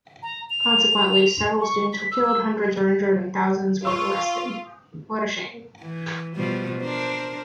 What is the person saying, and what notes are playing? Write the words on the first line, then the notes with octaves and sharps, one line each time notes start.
Consequently, several students were killed, hundreds were injured and thousands were arrested.
A#5
F7
C#6
B6
E6
F4 C#6 E6
E3
B2 F3 G3
D4 A#4 C5